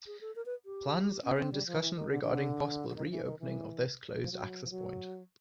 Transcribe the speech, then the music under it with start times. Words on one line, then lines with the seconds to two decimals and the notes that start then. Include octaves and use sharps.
Plans are in discussion regarding possible re-opening of this closed access point.
0.07 G#4
0.21 A4
0.36 A#4
0.46 B4
0.65 G4
1.22 C#4
1.37 C4
1.52 G3
1.66 F3
1.81 E3
1.95 D#3
2.10 D3
2.23 D3
2.89 D3
2.96 D#3
3.05 F3
3.11 E3
3.25 D#3
3.39 E3
4.13 E3
4.22 F3
4.32 F#3
4.64 F3
4.70 F#3